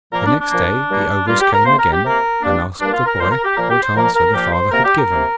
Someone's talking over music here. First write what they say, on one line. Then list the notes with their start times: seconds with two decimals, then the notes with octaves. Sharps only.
The next day the ogress came again, and asked the boy what answer the father had given.
0.12 A#2 F3 A#3 A#4
0.26 D4
0.38 D4
0.51 A#2 F3 A#3
0.89 G2 G3 A#3
1.27 G2 G3 A#3 F4
1.40 G4
1.53 A#4
1.65 C3 A#3 C5
1.78 A#4
1.92 G4
2.04 C3 A#3 A#4
2.42 G2 G3 A#3 D4
2.80 G2 G3 A#3 D4
2.93 F4
3.06 A#4
3.19 A#2 F3 A#3 C5
3.31 A#4
3.45 G4
3.57 A#2 F3 A#3 A#4
3.70 G4
3.82 C5
3.95 A#2 F3 A#3 A#4
4.14 A#4
4.34 A#2 F3 A#3 G4
4.53 C5
4.71 C3 A#3 A#4
4.85 G4
4.97 A#4
5.10 C3 A#3